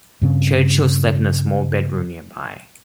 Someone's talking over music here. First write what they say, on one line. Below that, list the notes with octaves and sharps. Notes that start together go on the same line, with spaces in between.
Churchill slept in a small bedroom nearby.
G2 C#3 C4